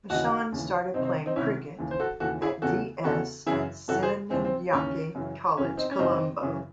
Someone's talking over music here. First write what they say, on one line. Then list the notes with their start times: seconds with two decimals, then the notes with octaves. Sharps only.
Hashan started playing cricket at D. S. Senanayake College, Colombo.
0.10 D#2 C#3 E3 D#4 F#4
0.52 D#2 C#3 E3
0.94 C2 C3 D#3 C4 D#4
1.05 C4 D#4
1.26 C4 D#4
1.36 C2 C3 D#3 C#4 E4
1.78 D#2 C#3 E3
1.91 C5
2.00 F#4 A4
2.20 D#2 C#3 E3 F#4 A4
2.42 E4 G#4
2.62 E2 C#3 E3 F#4 A4
3.04 E2 C#3 E3 F#4 A4
3.46 F#2 C#3 E3 E4 G#4
3.88 F#2 C#3 E3 F#4 A4
4.03 G#4 C5
4.30 D#2 C#3 E3 C4
4.44 C4
4.73 D#2 C#3 E3 C#4
5.15 F#2 C#3 E3
5.57 F#2 C#3 E3 C#4
5.77 C4 D#4
5.91 C#4
5.99 F#2 C#3 E3 C4 D#4
6.41 F#2 C#3 E3